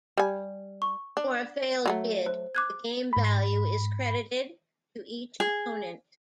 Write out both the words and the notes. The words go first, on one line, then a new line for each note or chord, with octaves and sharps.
For a failed bid, the game value is credited to each opponent.
G3 G#5
C#6
D4
F#3 G3 A3
C5
D6 F#6 G#6
G#2 B5
G#4